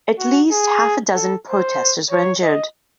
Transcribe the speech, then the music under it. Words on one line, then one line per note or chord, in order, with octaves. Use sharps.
At least half a dozen protesters were injured.
F#4
G#4
A4
C5
C#5
D#5